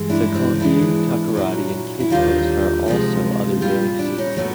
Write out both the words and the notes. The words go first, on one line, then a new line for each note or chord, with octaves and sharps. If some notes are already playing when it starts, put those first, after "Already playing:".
Sekondi-Takoradi and Cape Coast are also other bases.
Already playing: G2 E3 G#3
D4 E4
D#4
C4 D4
D#4
G#2 E3 G#3 D4 E4
A#2 F#3
E4
D#2 D3 G3 D#4 F4
D2 C3 F3 G#3
A#2 G3 F4 G4
D4 E4
C#4 D#4
A2 F#3 A3 B3